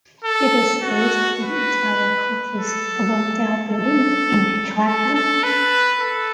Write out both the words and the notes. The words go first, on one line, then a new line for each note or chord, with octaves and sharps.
It is based in Italia Conti's Avondale Building in Clapham.
A4
F#4
B4
A4
A4
A4
A4
B4
A4